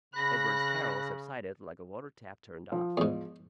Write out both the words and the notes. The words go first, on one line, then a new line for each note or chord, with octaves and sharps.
Edward's carol subsided like a water-tap turned off.
C#3 B5 F#6 A#6
F3
E2 G#2